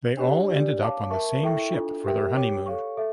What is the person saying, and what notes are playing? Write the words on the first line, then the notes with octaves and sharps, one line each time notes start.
They all end up on the same ship for their honeymoon.
D4 G4 C#5
D4 G4 D5
C#5 F5 A5 D6
A#4 E5 A5 C#6
E4 A4 E5 G5 C#6
D4 F4 A4
G4 A#4 E5 G5
G4 C#5 G5 D6
A4 C#5 F5 C#6
A4 E5